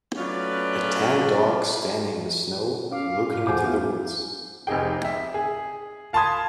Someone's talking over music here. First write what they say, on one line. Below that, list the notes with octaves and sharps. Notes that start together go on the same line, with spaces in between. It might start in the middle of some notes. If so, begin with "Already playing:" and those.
A tan dog standing on the snow looking into the woods.
F#3 A3 C#4 F4 B4 D5
C#4 F5 D6
G#2
E2 F#4 A4 C5 G#5 D6 G6
B3 E5 F5
F1 C3 D#4 G#4 G5
E5
G#4
F5 A5 B5 C6 D#6 G#6